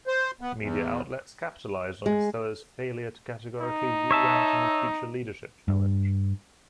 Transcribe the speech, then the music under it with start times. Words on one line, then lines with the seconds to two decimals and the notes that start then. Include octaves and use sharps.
Media outlets capitalised on Costello's failure to categorically rule out any future leadership challenge.
0.07 C5
0.41 B3
0.59 E2
2.06 G#3
3.61 D#4
4.11 C#5 E5 A5
5.68 G2